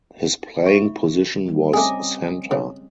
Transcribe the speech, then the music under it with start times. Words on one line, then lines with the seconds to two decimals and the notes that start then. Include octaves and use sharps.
His playing position was centre.
0.66 E5 B5 C#6
1.48 G3
1.74 A3 C4 C#4 G#4 D#5 G#5 A#5 D6
2.51 C#3